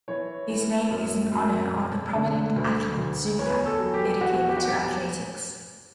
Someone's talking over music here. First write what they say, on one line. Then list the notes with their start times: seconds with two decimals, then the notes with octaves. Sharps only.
His name is in honor of a prominent athlete Zulia dedicated to athletics.
0.08 E3 C#5
0.50 E3
0.91 F#2
1.32 F#2
1.73 E1
2.15 D3
2.56 D2
2.97 D2
3.39 E2 C#5
3.46 B4
3.53 C#5
3.66 A4
3.80 F#3
3.94 G4
4.21 E2 F#4
4.49 G4
4.57 F#4
4.65 G4